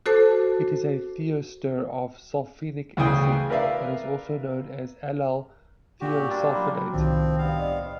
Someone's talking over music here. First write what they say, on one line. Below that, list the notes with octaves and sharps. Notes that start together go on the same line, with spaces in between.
It is a thioester of sulfenic acid and is also known as allyl thiosulfinate.
F#4 A4 C5 A5 D6
D2 C#3 E3 G#4 G5
A#4 B4 D5 E5 F5
A#2 F#4 G4
G3 A#3 D4 C6 E6 A6
F#3 F#4 B5
C2 A2 D#3 F3 C4
G2 B3 F5
D5 D#5